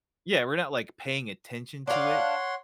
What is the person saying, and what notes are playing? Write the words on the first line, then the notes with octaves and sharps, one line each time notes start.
Yeah, we're not, like, paying attention to it
D4 C#5 F5 F#5 C6